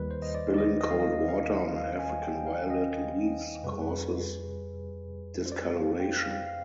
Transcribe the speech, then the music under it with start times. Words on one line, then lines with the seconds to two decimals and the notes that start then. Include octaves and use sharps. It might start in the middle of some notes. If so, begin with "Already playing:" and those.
Spilling cold water on African violet leaves causes discoloration.
Already playing: D#2 D#3 G3 B4
0.11 C5
0.22 D#5
0.35 D5
0.54 D5
0.58 D#5
0.81 D#5
0.91 F5
1.00 D#5
1.28 F5
1.76 F5
1.99 G#5
2.23 G5
2.47 F5
2.70 D#5
3.63 F2 C3 G3 B4
3.72 G#4
3.81 B4
5.46 C5
5.52 D5
5.76 F5
6.00 G5
6.23 F5
6.46 F5